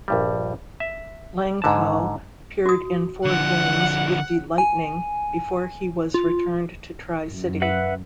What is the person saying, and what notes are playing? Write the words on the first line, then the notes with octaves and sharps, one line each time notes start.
Langkow appeared in four games with the Lightning before he was returned to Tri-City.
A#1 G2 G3
E5
G#2 D3 A5
F#4 D#6
D3 F3 F#5
G#5
F4
F#2
B4 E5 F#5